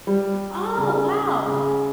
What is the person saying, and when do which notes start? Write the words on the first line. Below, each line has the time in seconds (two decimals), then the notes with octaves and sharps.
Oh, wow.
0.07 G3
0.78 C#3
1.48 C#3